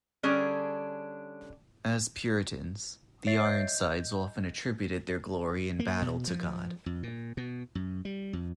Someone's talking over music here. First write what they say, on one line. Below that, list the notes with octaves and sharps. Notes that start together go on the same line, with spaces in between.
As Puritans, the Ironsides often attributed their glory in battle to God.
D3 G3 C#4 D4 G#4
C#5 E5 A6 C7 D7
D#5 G6
A#3
B2
F3
F2
A#2
B2
F#2
G3
F2